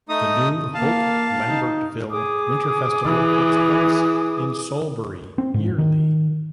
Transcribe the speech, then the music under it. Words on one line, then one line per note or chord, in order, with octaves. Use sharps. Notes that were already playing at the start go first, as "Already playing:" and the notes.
The New Hope-Lambertville Winter Festival takes place in Solebury yearly.
A3 D#4 D#6
A#3 F5 A5
D#4
G#4 D6 D#6
E3
C4
G#2
D#3